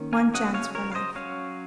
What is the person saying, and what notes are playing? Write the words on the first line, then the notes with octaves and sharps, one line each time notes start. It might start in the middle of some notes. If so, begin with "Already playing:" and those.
One chance for life.
Already playing: D#3 A#3 C#4
F5 G#5
C#3 F#3 C#4 D#5 F#5
C#5 F5
A#4 C#5
F5
C5 D#5
F#3 C#4 C#5 F5